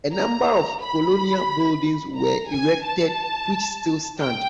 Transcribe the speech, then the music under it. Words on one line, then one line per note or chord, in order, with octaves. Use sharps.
A number of colonial buildings were erected which still stand.
A#5
B5
A#5
G#5
A5
G5